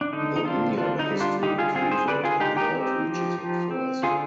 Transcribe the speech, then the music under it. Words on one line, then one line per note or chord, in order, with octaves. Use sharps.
The ninja race to retrieve it and Lloyd reaches it first.
D4
D3 D#4
D#4
C4 D4 F4
D3 D4 F4
D#4
G3
D4 F4
D3 D#4 G4
F4 G#4
C4 F4 G#4
G#4 C5
D3 B4 D5
F4 G#4
G#3 D#4 G4
D#4 G4
C4
F3
F3
C4
D3 F4 G#4